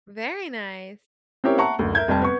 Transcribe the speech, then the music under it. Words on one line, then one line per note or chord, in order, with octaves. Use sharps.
Very nice.
C4 C#4 E4 G4 A#4 C#5
E5 F#5 A5 A#5 C#6
F#1 D2
A#4 E5 G6 G#6
F1 G3 G5 A5
B3 C#6